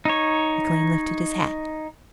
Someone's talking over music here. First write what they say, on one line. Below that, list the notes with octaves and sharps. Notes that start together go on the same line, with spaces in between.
McLean lifted his hat.
D#4 C#5